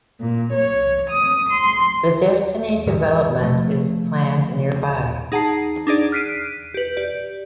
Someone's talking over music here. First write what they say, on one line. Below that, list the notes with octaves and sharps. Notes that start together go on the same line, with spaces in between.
The Destiny development is planned nearby.
A#2
C#5
D#6
C6
G#2 D#3 E3 G#3
C3 F3 A3
D#4 G#4 F#5 A5 A#5 C7
D4 D#4 G#4 D5
F6 F#6 B6 C7 D7 D#7
G4 B4
G4 D5